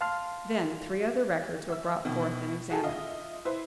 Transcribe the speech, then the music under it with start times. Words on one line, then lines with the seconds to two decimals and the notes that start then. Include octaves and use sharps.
Then three other records were brought forth and examined.
0.01 F5 A5 C6 F6
1.69 E5 E6
2.05 B2 D#3
2.70 F#4 G#4 A4
2.83 F4 D#5 E5
3.45 E4 B4 C5